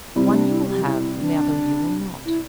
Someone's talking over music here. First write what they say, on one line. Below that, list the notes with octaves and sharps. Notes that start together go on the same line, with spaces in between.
One you will have, and the other you will not.
C3 G3 C4 E4
E4
D4
E4
G4
E4
D4
E4